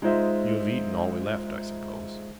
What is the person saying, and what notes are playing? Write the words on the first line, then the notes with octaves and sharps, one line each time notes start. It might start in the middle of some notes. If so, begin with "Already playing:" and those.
You have eaten all we left, I suppose.
G#3 D#4 F4 C5 D#5 E5